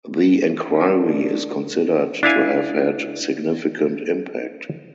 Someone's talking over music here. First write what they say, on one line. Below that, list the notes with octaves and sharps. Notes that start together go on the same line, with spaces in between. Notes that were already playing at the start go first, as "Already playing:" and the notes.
The enquiry is considered to have had significant impact.
D4 A#4
D4 E4 F5 G#5